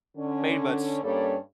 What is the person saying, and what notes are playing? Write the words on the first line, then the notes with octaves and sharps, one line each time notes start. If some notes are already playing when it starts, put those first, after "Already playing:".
pretty much
D3 C#4
G2 G3 A#3 C#4 A4 C#5